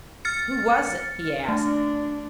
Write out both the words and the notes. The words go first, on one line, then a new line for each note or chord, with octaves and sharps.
"Who was it?" he asked.
F6 A6 C#7
A3 D4